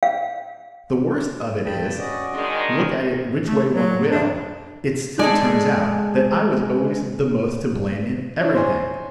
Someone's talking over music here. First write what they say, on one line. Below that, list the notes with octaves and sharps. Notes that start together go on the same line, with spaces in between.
The worst of it is, look at it which way one will, it still turns out that I was always the most to blame in everything.
F5
G2 G5 A5 B5
C#4 F#4 D5 D#5
D#3 G#3 D4
A3
F#3
D4
G#3 G#4 A4 D5
C#4 D4 E4
C5 C#5 G#5